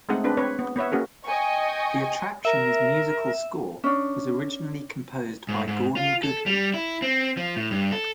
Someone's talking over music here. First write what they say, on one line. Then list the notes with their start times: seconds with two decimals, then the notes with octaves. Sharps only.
The attraction's musical score was originally composed by Gordon Goodwin.
0.09 G#3 A3 C4 D#4 G#4 F#5
0.24 C4 D4 B4
0.37 C4 B4 C#5
0.59 B3
0.76 B3 B4 C#5 E5
0.92 A#3 C#4 F#4 G#4 A#4
1.25 D#5 G5 G#5 C#6
2.45 A#4 E5
3.84 C#4 D4
5.49 G#2
5.68 G#2
5.97 F4
6.23 A4
6.46 G3
6.74 E4
7.02 C4
7.37 F3
7.56 A2
7.71 G2
7.92 A4